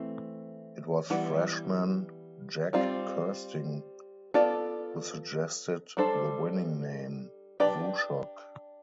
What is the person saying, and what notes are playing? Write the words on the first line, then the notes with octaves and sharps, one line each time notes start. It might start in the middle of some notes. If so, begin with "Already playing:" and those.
It was freshman Jack Kersting who suggested the winning name, WuShock.
Already playing: E3 A3 C4
E3 G3 B3
G3 C4 F4
B3 F4 A4 D5
G3 D4 A4 C5
D4 G4 B4 D5